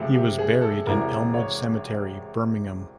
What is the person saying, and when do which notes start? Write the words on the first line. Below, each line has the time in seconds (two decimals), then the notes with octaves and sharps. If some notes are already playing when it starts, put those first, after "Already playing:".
He was buried in Elmwood Cemetery, Birmingham.
Already playing: C#2 C3 F3 A3
0.14 G4
0.38 G#4
0.62 A4
0.86 E1 E2 C3 E3 A#4
1.34 C#5